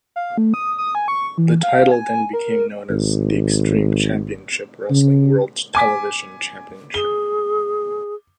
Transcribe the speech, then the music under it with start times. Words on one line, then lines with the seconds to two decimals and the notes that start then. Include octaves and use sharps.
The title then became known as the Extreme Championship Wrestling World Television Championship.
0.16 F5
0.38 A3
0.54 D#6
0.78 D#6
0.95 G#5
1.08 C#6
1.38 E3
1.63 F5
1.91 G#5
2.33 A#4
2.89 G#1
4.90 C#3
5.75 G#5 D6 B6
6.94 G#4 G7